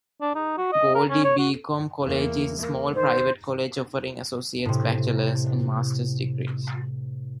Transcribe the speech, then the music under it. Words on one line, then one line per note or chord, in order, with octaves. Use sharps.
Goldey-Beacom College is a small private college offering associates, bachelors, and master's degrees.
D4
D#4
F#4
D#5
A#4
C#4
C#5
F#4
E2 A#3
A#3
D#3 C5
A2 C3